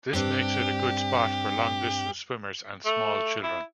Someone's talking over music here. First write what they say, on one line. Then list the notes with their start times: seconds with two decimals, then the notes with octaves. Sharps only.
This makes it a good spot for long-distance swimmers and small children.
0.14 G2 C4 D4 G4
2.85 A3
3.43 E4